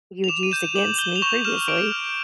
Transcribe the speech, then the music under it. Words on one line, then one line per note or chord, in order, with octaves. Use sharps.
you had used against me previously eh,
F7
D6 E7
D#7
G6 E7
D6 F#7
G6 G7
F7
C#6 E7
F6 E7
C#6 D7
F6